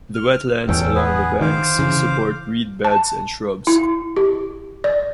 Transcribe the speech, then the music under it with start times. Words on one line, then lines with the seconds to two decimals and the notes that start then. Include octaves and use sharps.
The wetlands along the banks support reed beds and shrubs.
0.15 F6
0.68 D1 E2 C#4 A4 G5
0.95 B3 G#4 B4
1.41 D#3 C5 F5 D6
1.79 C#3 E3
2.85 A5
3.67 E4
4.17 G4
4.84 D5